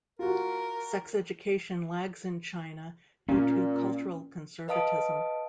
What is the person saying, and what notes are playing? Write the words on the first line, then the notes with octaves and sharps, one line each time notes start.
Sex education lags in China due to cultural conservatism.
F4 F#4 A#4
A#2 C#4
B4 D#5 F5 A5 D#6 D7